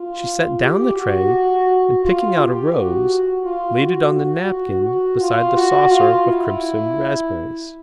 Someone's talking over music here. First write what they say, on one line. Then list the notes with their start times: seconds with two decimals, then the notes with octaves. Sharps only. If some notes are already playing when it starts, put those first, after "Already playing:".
She set down the tray, and picking out a rose, laid it on the napkin besides the saucer of crimson raspberries.
Already playing: F4
0.62 G4
0.97 F#4
2.03 F4
2.39 G4
2.74 F#4
3.44 F4
3.79 F#4
4.15 F#4
4.50 F#4
4.85 F#4
5.21 F4
5.56 F#4
5.91 F4
6.27 E4